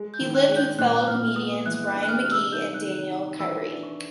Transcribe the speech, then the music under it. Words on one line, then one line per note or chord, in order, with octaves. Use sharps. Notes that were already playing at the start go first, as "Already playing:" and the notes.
He lived with fellow comedians Ryan Magee and Daniel Kyre.
Already playing: G#3
G6
D#3
F#6
G#3
G6
A#2 F#6
A#2 F6
B3 D#6
E3 F#6
F#6
D4
F#6
F6
C3
E6
D#4 G6
F#6
D#3
D#4
E3 E6
D4
C#6